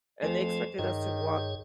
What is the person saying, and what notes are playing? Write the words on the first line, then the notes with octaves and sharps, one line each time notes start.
and they expected us to walk
F2 F3 A3 G#5
G2 D#3 G#4 C#5